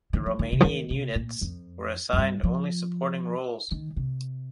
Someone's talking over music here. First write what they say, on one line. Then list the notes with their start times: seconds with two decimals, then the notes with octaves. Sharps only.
The Romanian units were assigned only supporting roles.
0.13 D#3
0.26 F3
0.39 D#3
0.52 C3
0.60 F3
0.65 D#3
0.90 C3
1.15 A#2
1.41 F2
2.13 F2
2.17 G2
2.43 F3
3.71 D#3
3.96 C3